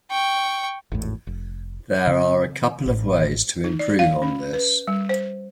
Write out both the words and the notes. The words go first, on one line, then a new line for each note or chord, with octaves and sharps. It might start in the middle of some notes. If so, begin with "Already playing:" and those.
There are a couple ways to improve on this.
G5 C#6
G#1 E2 A2
F1
C#3 C4
A1 A2
D#4
D5
F5
C#4
B4
G3
C5